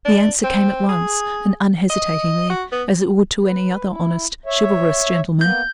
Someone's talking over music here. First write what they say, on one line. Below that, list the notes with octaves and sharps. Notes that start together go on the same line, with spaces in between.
The answer came at once and unhesitatingly, as it would to any other honest, chivalrous gentleman.
D4
C4
G#4
D#5
F#4
B3
B4
E4
C#5 E5
A#3 B3 G6